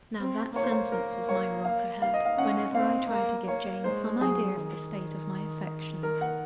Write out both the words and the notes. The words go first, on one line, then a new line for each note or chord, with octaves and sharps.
Now that sentence was my rock ahead, whenever I tried to give Jane some idea of the state of my affections.
C4
A#3 C#5
C5
C#5
A#4
C#5
F5
F5
D#5
F5
C#4 F#5
C4 F5
A#3
A#3 C#5
G#3 C5
F#3 G#4
D#3
A#4
F#5